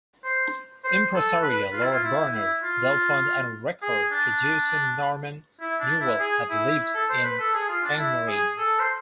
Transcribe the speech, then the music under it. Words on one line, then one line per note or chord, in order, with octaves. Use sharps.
Impresario Lord Bernard Delfont and record producer Norman Newell have lived in Angmering.
C5
C5
A4
B4
F4
E4
F4
E4
E4
F4
G#4
D4
E4
D4
E4
G#4
E4
E4
A4
C5
B4
A4
G#4
F4
D4
E4
G#4
A4
C5